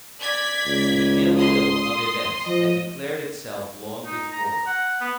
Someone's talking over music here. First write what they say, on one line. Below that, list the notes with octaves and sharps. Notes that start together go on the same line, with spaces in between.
The ill will of events had declared itself long before.
D5 G#6 B6
C#2
C6 D#6
F3 D#5
D#4
A#5
A#5
F#5
B3